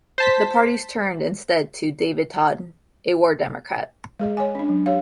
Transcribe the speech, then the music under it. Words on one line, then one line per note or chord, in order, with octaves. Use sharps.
The parties turned instead to David Tod, a War Democrat.
C5 A5 B6
G#3 G#4 D#5
C#5 G#5
C#4 D4
F#3
G4 C#5 F5